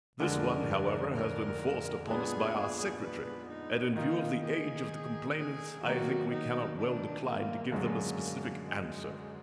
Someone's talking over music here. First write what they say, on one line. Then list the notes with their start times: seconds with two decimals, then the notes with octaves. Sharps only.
This one, however, has been forced upon us by our secretary, and in view of the age of the complainants I think we cannot well decline to give them a specific answer.
0.20 F2 D3 G#3 D4 A#4
1.14 A#4
2.08 A#2 G#3 B3 D4 G#4
3.02 B4
3.49 D#4
3.96 D#3 A#3 D#4 F4
4.43 G#4
5.37 G#4
5.84 D#3 F#3 A#3 F#4
6.32 D#4
6.79 D4
7.25 A#3
7.72 F#2 D3 G#3 A#3
8.66 G#3